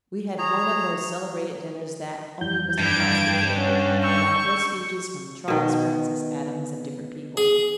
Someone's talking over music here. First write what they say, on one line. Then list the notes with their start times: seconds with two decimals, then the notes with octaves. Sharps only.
We had one of those celebrated dinners that only Mr. Childs could give, and I heard speeches from Charles Francis Adams and different people.
0.38 G#4 C#5 A#5
2.41 F2 E3 G6
2.79 G2 G#6 D7
3.56 C#4 F#5
4.04 C#6 E6 G6
5.48 B2 D#3
7.37 G#4